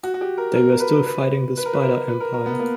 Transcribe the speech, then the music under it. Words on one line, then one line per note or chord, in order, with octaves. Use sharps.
They were still fighting the Spider Empire.
F#4
F#4
G4
A#4
A#4
A#4
B4
B4
B4
A#4
B4
A#4
B4
A#4
A#4
B3
A#3